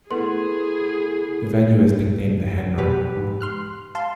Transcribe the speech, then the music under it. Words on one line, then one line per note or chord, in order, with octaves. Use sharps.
The venue is nicknamed "The Hen Run".
A3 B3 E4 G#4 B4 C6
B2 G4 B4
G#2
C6 F6 F#6
F5 A5 C6